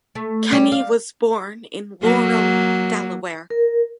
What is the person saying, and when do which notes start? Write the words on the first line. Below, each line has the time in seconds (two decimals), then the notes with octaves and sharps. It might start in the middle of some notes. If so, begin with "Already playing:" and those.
Kenney was born in Laurel, Delaware.
0.15 A3
0.52 G3
0.72 F5
2.03 F#3 A#3
3.50 A#4